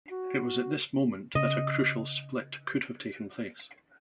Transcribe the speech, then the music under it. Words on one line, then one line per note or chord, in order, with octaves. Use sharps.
It was at this moment that a crucial split could have taken place.
F#4
C#3 D#5